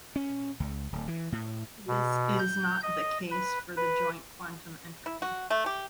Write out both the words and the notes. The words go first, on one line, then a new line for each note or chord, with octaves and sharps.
This is not the case for the joint quantum entropy.
C#4
C#2
D1
E3
A2
B2
G6
D#5
B4
B4
E4
F#4
A3
G4